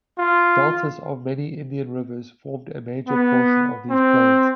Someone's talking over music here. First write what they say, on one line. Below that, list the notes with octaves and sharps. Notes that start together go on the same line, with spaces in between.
Deltas of many of India's rivers form a major portion of these plains.
F4
B3
C4